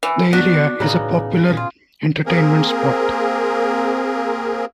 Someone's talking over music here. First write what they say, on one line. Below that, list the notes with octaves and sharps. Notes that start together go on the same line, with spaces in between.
The area is a popular entertainment spot.
E3
B3 D4 F#4
A2 C#3 B3 D#4
A#2 F4 G#4
A#3 C4 G#4 A#4